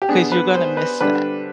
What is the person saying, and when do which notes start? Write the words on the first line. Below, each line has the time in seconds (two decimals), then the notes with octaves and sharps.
'cause you're gonna miss that.
0.02 G4
0.09 B2 B3 D4 G#4
0.32 B4
0.54 C5
0.77 B4
1.01 D3 G3 D4 B4